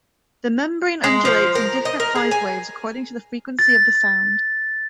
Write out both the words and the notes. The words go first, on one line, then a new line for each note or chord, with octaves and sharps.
The membrane undulates in different sized waves according to the frequency of the sound.
G#3
F3
A#4
D#5
A#4
G#4
G#5
A6